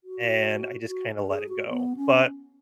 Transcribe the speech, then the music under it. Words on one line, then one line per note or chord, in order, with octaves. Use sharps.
and I just kinda let it go, but,
F#4
F#4
G#4
F#4
B3
C#4